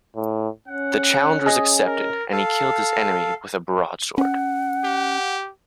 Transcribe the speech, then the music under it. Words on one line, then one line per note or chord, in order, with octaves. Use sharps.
The challenge was accepted, and he killed his enemy with a broad sword.
A2
C#4 F#5
G#4 D#5
A#4
A4 F5
C#4 F#5
G4